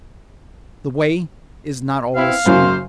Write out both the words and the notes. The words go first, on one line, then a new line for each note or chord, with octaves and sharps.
The way is not always smooth.
B3 C4 E4 F5
F#2 C#3 F#3 A#3 C5